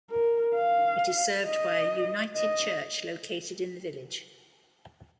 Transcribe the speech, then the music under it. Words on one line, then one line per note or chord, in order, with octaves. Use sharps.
It is served by a United Church located in the village.
A#4
F5
D#5
D#5